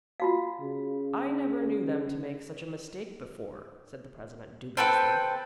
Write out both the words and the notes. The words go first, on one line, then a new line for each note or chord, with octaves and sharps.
"I never knew them to make such a mistake before," said the president, dubiously.
F4 F#4 F5
C#3
C4 A4 B4 G5